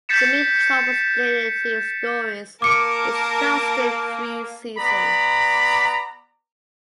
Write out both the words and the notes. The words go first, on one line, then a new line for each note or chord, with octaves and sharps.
The main plot was split into stories which lasted three seasons.
G6 A6 B6 C#7 E7
A#3 A#4 A5 D6 C#7 D7
B3 D5 A#5 B5